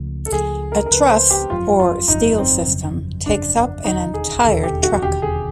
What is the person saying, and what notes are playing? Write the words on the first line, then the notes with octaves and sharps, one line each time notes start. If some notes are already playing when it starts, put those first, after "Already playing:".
A truss or steel system takes up an entire truck.
Already playing: C#2 C#3 F3 A3
A4
C#2 C#3 F3 A3 G#4
A#4
A#4
C#2 C#3 F3 A3 B4
C5
G4
G1 F2 C#3 F#3 F4
F4
G1 F2 C#3 F#3 D#4
C4
G1 F2 C#3 F#3
G1 F2 C#3 F#3 D4
E1 D#2 D3 D#4
G#4
E1 D#2 D3 A4
G4
F#4
E1 D#2 D3 G4
G#4